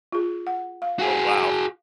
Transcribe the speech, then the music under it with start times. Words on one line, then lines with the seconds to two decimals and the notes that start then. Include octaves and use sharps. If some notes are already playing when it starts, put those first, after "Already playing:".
Oh, wow.
0.12 F4 G#4
0.47 F#5
0.82 F5
0.99 F#4 G#4